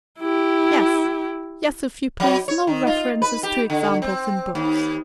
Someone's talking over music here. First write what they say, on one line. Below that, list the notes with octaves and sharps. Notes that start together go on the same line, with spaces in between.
Yes, yes, if you please, no reference to examples in books.
E4 G4
F#3
C#5
D#3
F4
B4
G4
D3
C4
D#2